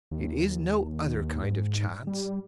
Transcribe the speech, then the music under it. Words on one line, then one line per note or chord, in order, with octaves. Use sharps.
It is no other kind of chance.
D#2
G#2
G3